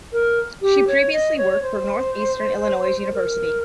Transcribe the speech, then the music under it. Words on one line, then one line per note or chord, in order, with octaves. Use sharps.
She previously worked for Northeastern Illinois University.
A#4
G4
C#5
D#5
C#5
C5
A#4